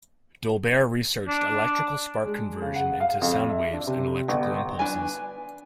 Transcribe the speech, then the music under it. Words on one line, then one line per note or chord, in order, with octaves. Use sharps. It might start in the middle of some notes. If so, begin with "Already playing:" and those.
Dolbear researched electrical spark conversion into sound waves and electrical impulses.
D4
G#3
C#3
F#5
F5
F2
E5
D4
C3
G1
D4 B4 G#5